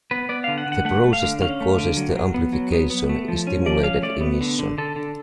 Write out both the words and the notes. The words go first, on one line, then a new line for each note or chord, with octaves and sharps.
The process that causes the amplification is stimulated emission.
B3 B4
B3 D5
D3 F5
F#5
D3
F#5
A3 F#5
A3
F5
D3
C#4 F5
A3
D3
F#3
F#3
B3
F#3
B3
B3
A3
F3
C#4
F3 D5
C#4 F5
A3 D5
B3
D3
D3
D3 A4
D3